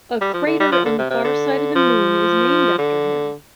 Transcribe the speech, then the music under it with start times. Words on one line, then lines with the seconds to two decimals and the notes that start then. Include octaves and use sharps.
A crater on the far side of the Moon is named after him.
0.21 G3
0.33 F3
0.46 D3
0.60 G3
0.72 F3
0.85 D3
0.98 C3
1.10 C3
1.24 D3
1.75 F3
2.78 D3